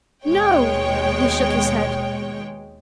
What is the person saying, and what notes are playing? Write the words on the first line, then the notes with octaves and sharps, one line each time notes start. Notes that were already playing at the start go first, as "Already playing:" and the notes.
"No," he shook his head.
D#2 B2 G#3 C#5 G5